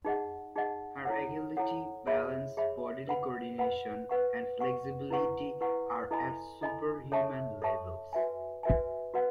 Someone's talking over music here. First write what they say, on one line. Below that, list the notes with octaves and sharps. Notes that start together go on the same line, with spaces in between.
Her agility, balance, bodily coordination and flexibility are at superhuman levels.
D#4 G#4 D#5 F#5
D#4 G#4 D#5 F#5
E4 A4 C#5 F#5
E4 A4 C#5 F#5
G#4 C#5 E5 B5
G#4 C#5 E5 B5
B4 F#5 B5
B4 F#5 B5
B4 F#5 C#6
B4 F#5 C#6
E4 B4 F#5 C#6
E4 B4 F#5 C#6
E4 A4 D#5 G#5 B5
E4 A4 D#5 G#5 B5
A4 C#5 E5 A5 C#6
A4 C#5 E5 A5 C#6
F#4 B4 E5 G#5
F#4 B4 E5 G#5
F#4 B4 F#5